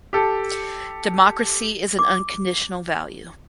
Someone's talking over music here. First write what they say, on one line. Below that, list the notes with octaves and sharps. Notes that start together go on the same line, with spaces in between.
Democracy is an unconditional value.
G4 A4
D6